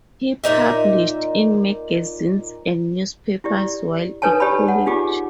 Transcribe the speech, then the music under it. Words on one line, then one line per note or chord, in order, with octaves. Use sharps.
He published in magazines and newspapers while at college.
A#2 B3 D#4 E5
E4 G4 D5
D#4 A4 B4 C#5 G#5 A5
G4 C#5 D5 A5 B5
F#5
D#4 F4 G4 G#4 D6